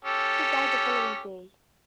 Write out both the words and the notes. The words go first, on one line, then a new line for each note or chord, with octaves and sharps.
He died the following day.
C#4 G4 A4